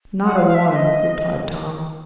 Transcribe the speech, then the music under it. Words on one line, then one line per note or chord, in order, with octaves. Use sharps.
"Not a one," replied Tom.
F#5
F5
F5
E5
D#5